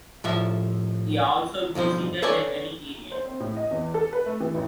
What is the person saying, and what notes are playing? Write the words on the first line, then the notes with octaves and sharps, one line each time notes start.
He also visited the Mediterranean.
A2 F3 E5
B1 G2 F3 C5
A4 B4 C#5 D5 G#5
C5
C4
A2
D#5
E2
A4
B4
A3
E3
A1